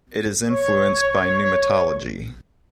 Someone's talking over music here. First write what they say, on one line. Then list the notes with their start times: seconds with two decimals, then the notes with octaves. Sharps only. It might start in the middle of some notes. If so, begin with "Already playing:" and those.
It is influenced by pneumatology.
0.49 C#5 C#6